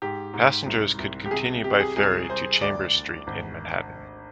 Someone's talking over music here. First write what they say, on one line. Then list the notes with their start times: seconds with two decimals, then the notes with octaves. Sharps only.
Passengers could continue by ferry to Chambers St in Manhattan.
0.02 G#2 G4
0.34 G#2
0.66 C2
0.98 C2
1.26 G4
1.31 C3 G#4
1.64 C3 G4
1.80 G#4
1.96 C2 G#4
2.29 C2 C5
2.61 D2 D5
2.95 D2
3.27 G#1